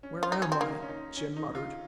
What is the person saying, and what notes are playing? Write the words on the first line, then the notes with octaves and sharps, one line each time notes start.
"Where am I?" Jim muttered.
C#4
F4
D#4
C#4
C4
A#3 D#4
C#4
D#4
C#4
D#4
F4